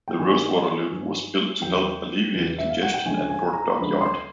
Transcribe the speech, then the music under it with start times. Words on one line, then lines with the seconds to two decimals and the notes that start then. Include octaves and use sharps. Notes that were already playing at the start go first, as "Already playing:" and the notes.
The Rosewater Loop was built to help alleviate congestion at Port Dock yard.
0.08 G5
0.19 G2 D#3 F#3 G#5
0.91 G2 D#3 F#3
1.62 E2 C#3 F#3 G5
2.34 E2 C#3 F#3
2.58 E5
2.70 F5
2.82 F#5
2.94 G5
3.05 D2 C#3 F3 G#3 G#5
3.30 G#5
3.53 A#5
3.77 D2 C#3 F3 G#3 B5
4.01 C6